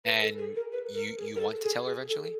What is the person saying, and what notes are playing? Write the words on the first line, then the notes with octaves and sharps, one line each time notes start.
And you you want to tell her eventually?
B4
A4
G#4
A#4
B4
A#4
G#4
A#4
A4
G#4
G#4
A4